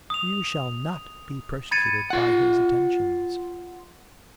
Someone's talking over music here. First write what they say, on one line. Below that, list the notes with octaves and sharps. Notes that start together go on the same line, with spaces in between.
'You shall not be persecuted by his attentions.'
D#6 F7
B5 G#6 A6 C#7 D#7
F4 F#5